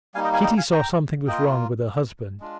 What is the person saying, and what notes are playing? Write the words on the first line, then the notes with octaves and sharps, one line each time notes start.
Kitty saw something was wrong with her husband.
G3 A#3 D#4 F5 G#5
D#5 G5
F5 G#5
D#5 G5
F5 G#5
G5 A#5
A#3 F4 D#5 G5
G#3 D4 F4